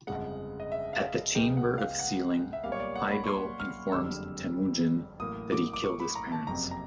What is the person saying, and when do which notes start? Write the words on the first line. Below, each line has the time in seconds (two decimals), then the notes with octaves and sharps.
At the Chamber of Sealing, Haido informs Temujin that he killed his parents.
0.07 G1 F2 C#3 F3 G#3 F#5
0.60 D#5
0.72 E5
0.93 F5
1.35 C#2 C#3 F3 G#3 B3 G5
1.57 F#5
1.78 F5
1.99 F#5
2.53 E5
2.64 B1 A#2 G3 A#3 F5
2.72 C#5
2.80 D5
2.96 F#5
3.11 B5
3.24 C#6
3.28 C6
3.60 F6
3.91 F#1 F2 D3 G3 E6
5.19 A1 A2 F#3 A#3 D#6
5.52 D6
5.73 D6
5.84 C#6
6.00 B5
6.15 A#5
6.32 A5
6.47 F#1 F2 C3 A#5
6.71 A#5